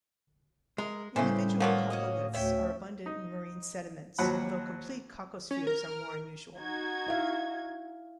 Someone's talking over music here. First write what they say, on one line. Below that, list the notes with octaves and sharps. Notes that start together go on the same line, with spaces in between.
Individual coccoliths are abundant in marine sediments although complete coccospheres are more unusual.
G#3 A#4
A2 C#3 E3 G3 C5
D#3 F3 F#3 A#3 B3
C#4 F#4 D#5
D2 C#4 E5 G5
D#4
D#2 F3 F#3 F#5 B5
C#4
A#4
D#4 F#4 G#6
E4 E5 F5